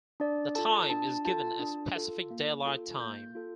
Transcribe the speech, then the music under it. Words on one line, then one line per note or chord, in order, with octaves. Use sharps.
The time is given as Pacific Daylight Time.
D4 D5
F4 A4 A5
D4 A5
F4 A4 A5
D4
F4 A4
A#3
F4 A4
A#3 G6
F4 A4